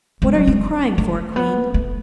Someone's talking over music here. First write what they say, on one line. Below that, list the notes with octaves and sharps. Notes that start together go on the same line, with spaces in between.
"What are you crying for, queen?"
G#3
F#3
G#3
A3
B3
A3